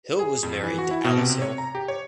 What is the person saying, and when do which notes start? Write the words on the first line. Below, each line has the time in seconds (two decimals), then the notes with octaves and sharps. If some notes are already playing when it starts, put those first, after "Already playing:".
Hill was married to Alice Hill.
0.19 G#4
0.43 F2
0.63 E3
0.78 F#4
0.91 E4
1.05 B2
1.18 C3
1.29 C3
1.42 C#5
1.58 A#5
1.75 G4
1.88 C#5